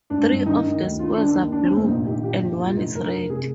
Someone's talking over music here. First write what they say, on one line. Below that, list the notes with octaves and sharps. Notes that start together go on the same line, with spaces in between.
Three of the squares are blue and one is red.
G#1 D4
G2
D#3 D#4
D#3
D2
D#3 F4
D#3 D4
D#2
D#3 D4
C4
F1
A#3
A#1 D#4
D#3 G4
A#1 G4
A#1
F1 F4
F1 D#4
D3 A#4
F1
C3 G#4